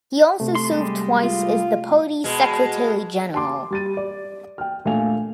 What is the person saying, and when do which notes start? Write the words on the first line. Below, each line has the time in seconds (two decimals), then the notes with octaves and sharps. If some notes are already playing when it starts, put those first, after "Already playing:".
He also served twice as the party's secretary-general.
0.40 C3 A3
0.55 C6
0.71 G3 G#3
1.23 F4
2.24 B2 G#3
3.35 A5 C6 D6
3.71 G3 A6 D#7
3.97 D5
4.58 G5 F6
4.85 A#2 A3 D4 F5 G#5 F7